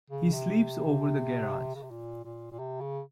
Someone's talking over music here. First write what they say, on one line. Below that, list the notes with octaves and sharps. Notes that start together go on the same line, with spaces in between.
He sleeps over the garage.
C#3
C3
C#3
C3
A#2
A#2
A#2
C3
C#3